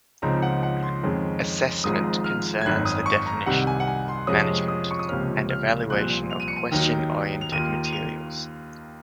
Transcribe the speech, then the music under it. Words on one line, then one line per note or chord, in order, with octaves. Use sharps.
Assessment concerns the definition, management, and evaluation of question-oriented materials.
C#2 C#3 F3 C4 D#4 A#5
F#5
F#5
C6
F2 D#3 G#3 C#4
G#1 G#2 F3 G#3 D#6
F6
G#6
G#1 F#2 D#3 F#3 F#6
D#6
C#6
A#5
C2 C3 D#3 F#5
G#5
F#5
G#5
C6
F2 C3 F3 G#3 C#4 D#6
D#6
C#6
D#6
C#2 C3 F3 A#3 C#4 F6
F6
C2 A#2 F3 C4 F4 F#6
F7
D#7
C#7
D#7
D#2 D#3 F#3
F7
D#2 D#3 A#3 F4 D#7
D#7
F7